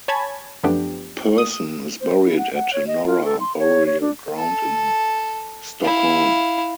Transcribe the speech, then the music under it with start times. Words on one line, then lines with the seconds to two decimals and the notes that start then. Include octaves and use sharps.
Persson is buried at Norra burial ground in Stockholm.
0.08 C#5 G#5 A5 B5 G#6
0.63 F#2 F3 A3 B3 D4 G4
1.38 D#6
2.01 C5
2.25 E4
2.38 F#5
2.55 F#5
2.73 C#5
2.87 D#5
3.06 F4
3.25 A4
3.40 C6
3.59 C#5
3.86 C#5
4.01 D4
4.37 A4
5.82 E4 F5